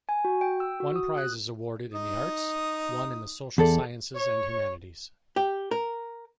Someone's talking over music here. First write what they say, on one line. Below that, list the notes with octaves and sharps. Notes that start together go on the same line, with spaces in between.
One prize is awarded in the arts, one in the social sciences and humanities.
G#5
F#4
G5
E6
F#4
D#6
F#6
D#4 D#6
E2 G#4 A4 D5
C#5
G4
A#4